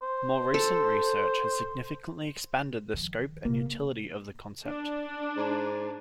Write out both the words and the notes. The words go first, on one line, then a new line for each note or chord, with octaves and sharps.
More recent research has significantly expanded the scope and utility of the concept.
C5
A4
D#3 F3
C3 A#3
D4
G#2